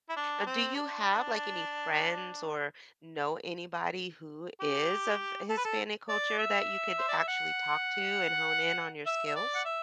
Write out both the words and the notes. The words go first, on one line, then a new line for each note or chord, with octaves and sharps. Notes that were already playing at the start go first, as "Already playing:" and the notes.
Now do you have, like, any friends or know anybody who is of Hispanic culture that you could actually talk to and hone in on your skills?
E4
D4
C4
D4
G4
A4
B4
A4
D5
E5
C5
D5
E5
F#5
E5
E5
D5
F#5
E5